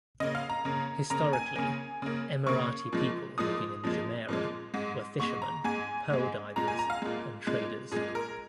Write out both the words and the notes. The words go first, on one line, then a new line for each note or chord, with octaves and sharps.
Historically, Emirati people living in the Jumeirah were fishermen, pearl divers and traders.
C#3 A#3 D#5
F5
A#5
C#3 A#3
C#3 A#3 A#5
G#5
C#3 A#3
C#3 A#3
C#3 A#3 C#6
A#2 F3 G#3
A#2 F3 G#3 D#6
A#2 F3 G#3
A#2 F3 G#3
G#2 G#3
G#2 G#3 C#6
A#5
G#2 G#3 G#5
G#2 G#3
A#2 G#3 A#5
G#5
A#5
F5
A#2 G#3
A#2 G#3
A#2 G#3 G#4
A#4